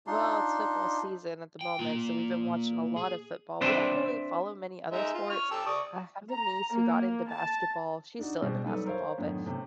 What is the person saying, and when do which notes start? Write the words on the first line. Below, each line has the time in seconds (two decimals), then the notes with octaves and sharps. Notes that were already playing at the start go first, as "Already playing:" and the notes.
Well, it's football season at the moment, so we've been watching a lot of football. We don't really follow many other sports. I have a niece who got into basketball. She's still into basketball, but
0.07 D4 D#4 F4 C6
1.61 G5
1.79 A#3 F4
2.96 G#4
3.61 C4 D4 B4 C5 D5 E5
4.92 G#3 D#4 E5
5.14 F4
5.30 C#6 F6
5.51 G4 A5 E6
5.66 D5 C#6 D#6
6.31 A#5
6.73 A#3
7.30 A5
8.19 D4 D#4 F#4
8.41 B2 G3 G#3 B3 C4
8.65 F#3 G3 D#4 A4 B4
8.86 A#4 C5 C#5 F5
9.18 F#2 A2 D3 D#3 B3 D#4
9.45 A2 C3